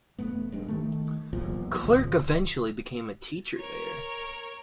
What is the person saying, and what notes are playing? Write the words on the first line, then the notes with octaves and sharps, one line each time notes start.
Clerc eventually became a teacher there.
E1 A3 B3
E1 G2 G#3
D#3 A3
B1 E2 A#2 F3
G#1 C#2 F3
A#4 C#5